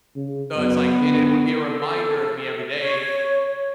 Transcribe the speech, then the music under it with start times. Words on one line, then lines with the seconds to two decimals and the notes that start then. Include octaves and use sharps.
So, it's, like and it would be a reminder of me every day
0.16 C#3
0.56 F#2 B3
1.00 D3
1.64 A4
2.78 C#5